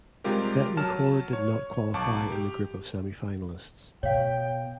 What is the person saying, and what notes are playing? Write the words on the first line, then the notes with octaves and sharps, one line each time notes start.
Betancourt did not qualify in the group of semifinalists.
C3 G3 G#3 F4 G4 A#4
F#3 A5 F6 E7
C#5
B1 A5 C#6 D6
G4
B2 C#5 F5 G5